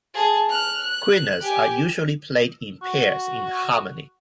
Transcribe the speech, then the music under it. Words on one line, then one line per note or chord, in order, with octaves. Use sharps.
Quenas are usually played in pairs, in harmony.
G#4 A5
F6 F#6
F#6
G4 G#5
F#4